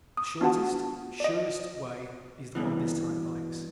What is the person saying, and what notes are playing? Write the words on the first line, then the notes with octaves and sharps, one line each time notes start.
The shortest, surest way is the one this type likes.
D#6
B3 D4 F4 F#4 F#5 A5
D5 D#5
G2 B2 E3